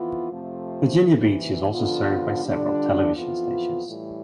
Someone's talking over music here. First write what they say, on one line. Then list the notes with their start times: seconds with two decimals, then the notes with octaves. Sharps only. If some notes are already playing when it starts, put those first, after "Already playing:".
Virginia Beach is also served by several television stations.
Already playing: F2 E3 B3 F4
0.30 F2 C3 F3 A3 C4
1.00 D2 C3 E3
1.72 F2 D3 F3 B3 F4
2.42 D3 G3 D4 F4
3.14 F2 E3 B3 F4
3.84 A2 E3 G3